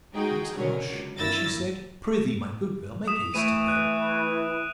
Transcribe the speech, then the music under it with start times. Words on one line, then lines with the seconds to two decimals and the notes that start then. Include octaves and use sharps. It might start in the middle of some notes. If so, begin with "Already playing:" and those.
I was hush; but she said, Pr'ythee, my good girl, make haste to bed.
0.14 G#3 D#4 F#4 G#4 G5
0.56 B2 D3 F#3 C#4 A#4
0.85 C#2
1.17 G2 A#3 E4 E6 A6 A#6
3.07 D#6 E7
3.34 E3 A3 D7 D#7
3.68 F#6